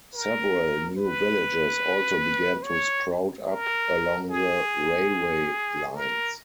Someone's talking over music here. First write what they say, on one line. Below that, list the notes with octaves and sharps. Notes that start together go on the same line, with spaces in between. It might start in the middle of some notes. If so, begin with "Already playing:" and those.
Several new villages also began to sprout up along the railway lines.
A#4
B4
C#5
A#4
G#4
A#4